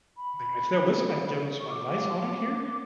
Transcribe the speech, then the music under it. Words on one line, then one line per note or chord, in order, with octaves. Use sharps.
mean, if they'll listen, I can give them some advice on it here.
B5
C#6
D6